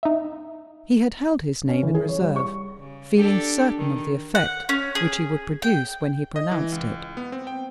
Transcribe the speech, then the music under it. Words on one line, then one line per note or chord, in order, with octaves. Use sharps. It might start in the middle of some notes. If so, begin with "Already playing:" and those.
He had held his name in reserve, feeling certain of the effect which he would produce when he pronounced it.
D#4 E5
C#4
E3
G#4
C#5
G3
C#6
C#3
D4 G4 A4
D#3
F#5
C#4
G#4
G5
D#5
E3
C#2
B3
C4
G5